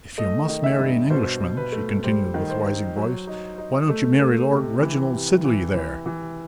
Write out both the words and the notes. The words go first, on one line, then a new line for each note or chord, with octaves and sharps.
If you must marry an Englishman," she continued with rising voice, "why don't you marry Lord Reginald Sidley there?
A3 D#5
D#3
E5
G2
B2 C5
B2
B4
A3
G3 C5
D#3
C5
D#4
F#3
D#4
D#4
A3
A3
C3
E3
C3
E3
E3
E3